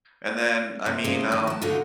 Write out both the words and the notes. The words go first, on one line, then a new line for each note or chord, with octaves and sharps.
And then I mean, um.
C3
C3 G#3 C#4 D#4 F4 C5
D#3
F#3 A5
B2 D3 D#4 F4 F#4